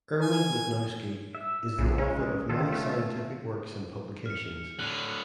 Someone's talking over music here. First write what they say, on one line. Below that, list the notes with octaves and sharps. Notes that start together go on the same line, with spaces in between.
Irwin Lipnowski is the author of many scientific works and publications.
G#5
E5
B1 C#3
G#3 C#4
D#3 C#4 F4 A4
A3
F6 C#7
A2 D3 F#6 D#7 F7